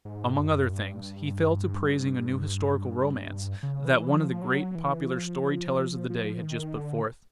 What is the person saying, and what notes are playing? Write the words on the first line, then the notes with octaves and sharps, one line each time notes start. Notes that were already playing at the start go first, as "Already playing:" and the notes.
Among other things, he fell to praising a new historical romance that one of the great popular story-tellers of the day had just put forth.
G#2
F#2
G2
C#3
E3
F3
F#3
E3
F3
F3
D#3
D3